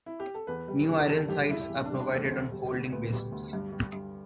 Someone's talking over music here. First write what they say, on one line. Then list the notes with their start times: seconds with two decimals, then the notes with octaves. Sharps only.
New iron sights are provided on folding bases.
0.06 E4
0.20 G4
0.34 A4
0.47 E2 B4
0.68 G3
0.89 E2
1.08 G3 A4
1.28 G2 G4
1.49 G2 E4
1.69 E2
1.85 D4
1.90 G3
2.00 D4
2.11 E2 A3
2.30 D2
2.52 G3
2.71 D2
2.92 D2 B3
3.12 G3
3.32 D2
3.53 G2
3.72 G3
3.93 G2